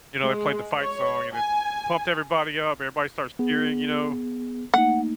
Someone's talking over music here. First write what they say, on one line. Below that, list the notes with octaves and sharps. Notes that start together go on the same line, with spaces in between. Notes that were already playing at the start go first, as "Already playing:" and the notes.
you know, they played the fight song, and it pumped everybody up. Everybody starts cheering, you know.
G#3
C#5
G#5
B3 G#4
A3 A#3 D#4 F#5